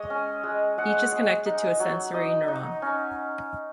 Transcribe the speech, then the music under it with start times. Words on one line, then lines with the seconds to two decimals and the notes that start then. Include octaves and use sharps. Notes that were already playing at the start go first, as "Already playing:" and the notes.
Each is connected to a sensory neuron.
Already playing: G#3 C#5 D#5
0.10 C#4
0.44 G#3
0.78 G#3 F#5
1.12 G#3
1.46 D#4
1.80 F#3
2.14 D#4 D#5
2.48 D#4
2.82 C#4